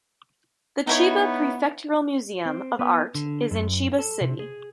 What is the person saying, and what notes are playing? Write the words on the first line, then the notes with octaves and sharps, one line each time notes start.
The Chiba Prefectural Museum of Art is in Chiba City.
B3 D#4 E4 C#5
C4
B3
D3
F#2
A4
C3
G#4